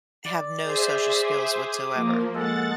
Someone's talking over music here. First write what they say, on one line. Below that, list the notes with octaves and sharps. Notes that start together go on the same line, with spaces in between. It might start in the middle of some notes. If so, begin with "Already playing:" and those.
have no social skills whatsoever,
D5
G#4 C5 E5
D6 D#6
F3 A#3
G#3 A4 F#5 A6